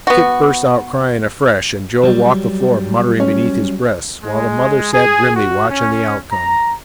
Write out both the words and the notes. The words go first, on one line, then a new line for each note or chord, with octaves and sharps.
Kit burst out crying afresh, and Joe walked the floor muttering beneath his breath, while the mother sat grimly watching the outcome.
B3 F#4
F#3 G3
C#4 C#5
G#3
G#4
F#4
C#4
A#5